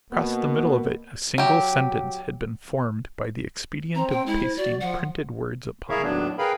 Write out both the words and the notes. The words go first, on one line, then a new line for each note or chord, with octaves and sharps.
Across the middle of it a single sentence had been formed by the expedient of pasting printed words upon it.
B2 A#3 B3
F#3 G4
C4 A#5
G5
G#3 E4
C5
F#4 D5
F3 F#5
E4 G#4 A#4 C#5 E5 F5
D#2 A2 F#3 B3 D4
G#4 A#4 B4 F5 G5 B5